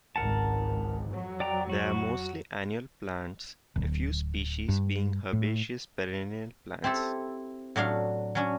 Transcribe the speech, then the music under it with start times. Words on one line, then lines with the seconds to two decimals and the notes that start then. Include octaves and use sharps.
They are mostly annual plants, a few species being herbaceous perennial plants.
0.16 G#1 C#2 A#4 F#5 A5
1.11 F2 F#3
1.40 D5 G5 A#5
1.70 F#4
3.76 D1
4.69 G2
5.33 A2
6.84 C4 E4 G4 A4
7.76 A2 F#3 D4 F5
8.35 F#3 C#4 D4